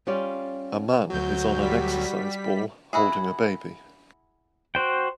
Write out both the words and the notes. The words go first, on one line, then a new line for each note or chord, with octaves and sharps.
A man is on an exercise ball holding a baby.
G3 C#4 F4 D5
D2 F#3 F#4 G6
G3 B6
E4 F#4 G#4
F#4 C5 G5